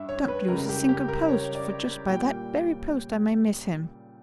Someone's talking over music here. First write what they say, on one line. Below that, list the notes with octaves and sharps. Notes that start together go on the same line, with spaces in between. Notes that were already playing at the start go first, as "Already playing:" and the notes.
Don't lose a single post; for just by that very post I may miss him.'
Already playing: G2 D4 E5
C#5
B4
C#2 C#3 G3 A#4
G4
G4
A#4
C#5
D5
A#2 G3 A#3 G5